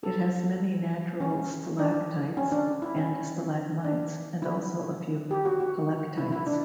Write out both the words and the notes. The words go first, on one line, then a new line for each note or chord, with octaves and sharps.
It has many natural stalactites and stalagmites, and also a few helictites.
A4
C#4
D4
C#4
D4
E4
C#4
D4
E4
G4
F#4
F#4
E4
E4
D4